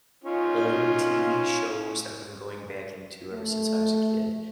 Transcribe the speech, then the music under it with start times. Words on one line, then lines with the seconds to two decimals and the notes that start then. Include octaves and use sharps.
old TV shows that I'm going back into ever since I was a kid.
0.24 C#4 D#4 F4
3.33 A3